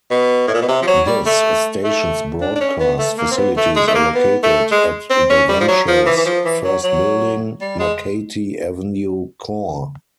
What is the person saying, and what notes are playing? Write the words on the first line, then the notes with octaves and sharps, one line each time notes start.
This station's broadcast facilities are located at the Ventures I Bldg., Makati Avenue cor.
B2
A2
A#2
B2
C3
F3
F#3
G3
A3
A3
D4
D4
C#4
B3
A3
A#3
C4
B3
A3
G#3
A3
A#3
B3
A3
G#3
C4
C#4
G3
F3
F#3
F3
E3
E3
F3
E3
F#3
F#3
G3
G#3